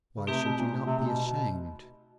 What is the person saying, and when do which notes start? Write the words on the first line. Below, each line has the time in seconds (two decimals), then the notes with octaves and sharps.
Why should you not be ashamed?
0.17 C#3
0.27 C3 A3 C4 D#4 G4 B4
0.43 B2
0.57 A#2
0.86 C3
0.99 C3
1.06 B2
1.26 B2